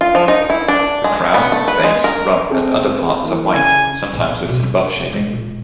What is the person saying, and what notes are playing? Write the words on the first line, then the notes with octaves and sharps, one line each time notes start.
The crown, face, rump and underparts are white, sometimes with some buff shading.
F4
F3
D#4
E4
D4
G#3
B3
A3
B4
G#3
A#4
C4 G#4 A4
E3 A#3
C#3 G#5
A#1
B2 F3
E2 D4
F1
G#3
A#2